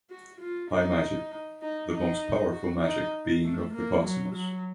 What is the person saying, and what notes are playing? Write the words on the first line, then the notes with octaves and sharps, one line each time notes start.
High Magic: The most powerful magic, being of the Cosmos.
F#4
F4
D#4
D#4
D#4
F#4
D#4
A3
A#3
F#3
F#3